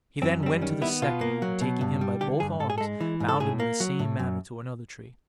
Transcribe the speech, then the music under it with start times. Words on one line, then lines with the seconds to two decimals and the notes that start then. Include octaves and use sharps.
He then went to the second, and taking him by both arms, bound him in the same manner to another tree.
0.22 F#2 C4
0.43 G3 C4
0.61 D#3 C#4
0.82 B3 E4
1.02 B2 F4
1.21 A#3
1.42 F#3
1.61 B2
1.81 G2
2.01 G3
2.21 D3 G4
2.40 G2 G#4
2.60 G#2 A4
2.70 G#4
2.78 A4
2.80 G#3
3.00 E3
3.20 G#2
3.28 A4
3.40 A2 G#4
3.60 A#3
3.80 F#3
3.99 A2
4.19 F#2